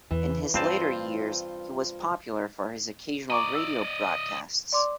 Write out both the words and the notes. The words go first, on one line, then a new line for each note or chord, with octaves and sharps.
In his later years he was popular for his occasional radio broadcasts.
E2 E3
G2 C4 E4 F4 C5 A5
D5 D#5 A#5 C#6 D6
E6
D5 C6 D6